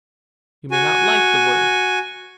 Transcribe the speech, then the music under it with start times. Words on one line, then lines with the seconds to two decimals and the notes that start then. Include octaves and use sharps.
You may not like the word.
0.71 F#4 G#5